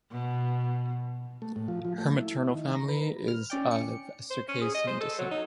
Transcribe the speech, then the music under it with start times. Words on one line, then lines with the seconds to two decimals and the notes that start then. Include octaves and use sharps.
Her maternal family is of Circassian descent.
0.11 B2
1.42 A3
1.56 A2
1.68 F3
1.85 F3
1.98 A3
2.19 E4
2.54 D#3
2.75 A#5
2.88 B4
3.28 F6
3.50 C#4 D5 G5
3.71 C#7
4.30 C5
4.48 C#4
4.61 G#4
4.74 D#5
4.87 C5
5.00 A4
5.18 F#3
5.31 D#4